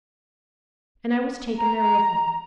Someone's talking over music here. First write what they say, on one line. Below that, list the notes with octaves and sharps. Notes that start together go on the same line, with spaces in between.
And I was taken there with him.
A#5